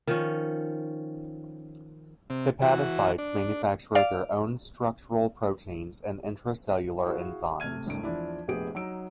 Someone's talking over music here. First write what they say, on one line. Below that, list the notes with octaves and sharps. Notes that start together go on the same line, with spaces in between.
Hepatocytes manufacture their own structural proteins and intracellular enzymes.
D#3 F3 C#4
C3
E3 F#4
D4
D5 F5
E4 F#4 G#4 F5
C3 A3 F6 G#6 D#7
E1 C2 G2 A3 D7
E2 F3 D4 E4
F1 A#1 B3 G4 G#4 D7
F#3 D#4 E6 D7